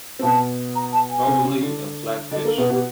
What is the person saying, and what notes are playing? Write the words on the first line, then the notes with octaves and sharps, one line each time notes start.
Probably a flatfish.
C4
B2 B3 A5
A#5
A5
G#5
C3 C4
C#3 C#4
D3 D4
D3 D4 D#5
A#3 A4
B2 B3 G#4
B2 B3 G4